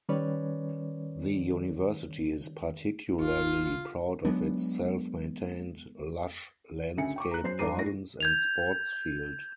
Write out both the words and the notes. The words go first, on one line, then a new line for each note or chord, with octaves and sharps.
The University is particularly proud of its self-maintained lush landscaped gardens and sports field.
D#3 G3 C#4 B4 C#5 D5
G1 F4
F#3 G#3 B3 D4
D2 C#3 E5 G#5 C#7
G5 C#6 D6
A#5 F#6
F#2 C5 C7
G2 A4 A#5 D6 C7 D#7
A1 A#6
G6 G#6 F7